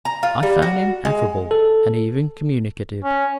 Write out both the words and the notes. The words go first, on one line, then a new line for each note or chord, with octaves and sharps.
I found him affable and even communicative.
A#5
F4
G3
F#4
G#3
A4
C#4